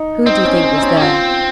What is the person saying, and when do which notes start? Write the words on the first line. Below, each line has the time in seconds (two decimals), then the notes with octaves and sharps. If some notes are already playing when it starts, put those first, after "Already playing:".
"Who do you think was there?"
Already playing: D#4
0.26 C4 D#4
0.45 C#4
0.64 C#4
0.77 D#4
0.82 C#4
0.97 A#3
1.01 C4 F4